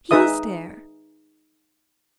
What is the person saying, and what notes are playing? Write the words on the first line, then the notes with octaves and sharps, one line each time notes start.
"He's there!"
D#4 G#4 B4 E5 D#6